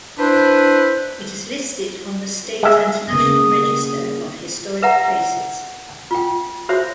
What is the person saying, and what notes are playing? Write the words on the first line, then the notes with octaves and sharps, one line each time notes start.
It is listed on the State and National Register of Historic Places.
D4 E4 B4 C5
G#3 E5
C#3 A#3 B3 D#6
B4 E5 F#5 A#5
F4 G5
F#4 C5 C#5 E5